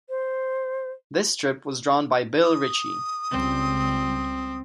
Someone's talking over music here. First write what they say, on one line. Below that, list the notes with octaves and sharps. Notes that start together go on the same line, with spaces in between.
This strip was drawn by Bill Ritchie.
C5
D#6
C#2 G3 C4